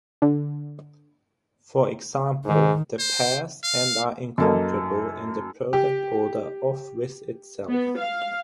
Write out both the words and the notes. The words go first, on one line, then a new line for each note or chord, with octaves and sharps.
For example, the pairs and are incomparable in the product order of with itself.
D3
G#2 D#3
C5
F5
F#2 A#3 A4 D#5
G4
B3
F5